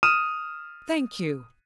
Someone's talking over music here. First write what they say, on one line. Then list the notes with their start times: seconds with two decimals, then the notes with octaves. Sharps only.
'Thank you.
0.03 D#6 F6 D#7 E7